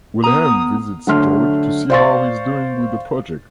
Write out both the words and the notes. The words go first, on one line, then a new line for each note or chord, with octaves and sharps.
Wilhelm visits George to see how he is doing with the project.
B3 A#5 D#6
D3 F#3 A3 C6 F6
C5 D5 F5 C6 C#6 A6